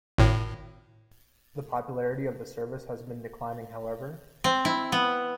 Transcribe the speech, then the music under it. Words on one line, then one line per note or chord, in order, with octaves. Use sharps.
The popularity of the service has been declining, however.
G#1 A2
C4
E4
B3